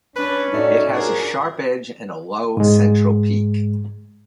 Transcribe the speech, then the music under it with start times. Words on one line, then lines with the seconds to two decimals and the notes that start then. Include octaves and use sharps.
It has a sharp edge and a low central peak.
0.16 C#4 D4 B4
0.53 A2 A3 D#4 F#4 D5
0.94 F3 D4 F#4 G#4 A#4
2.57 G#2 G#3